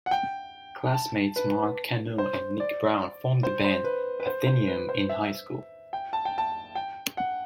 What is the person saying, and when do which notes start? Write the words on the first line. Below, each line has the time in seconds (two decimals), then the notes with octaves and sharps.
Classmates Mark Kano and Nic Brown formed the band, Athenaeum, in highschool.
0.06 F#5
0.11 G5
0.94 A5
1.36 B4
2.18 C5
2.60 D5
3.43 C5
3.64 C5
3.84 B4
4.20 B4
4.27 C5
4.47 C5
4.68 B4
4.89 C5
5.09 E5
5.93 G5
6.13 A5
6.25 G5
6.38 A5
6.75 G5
7.17 F#5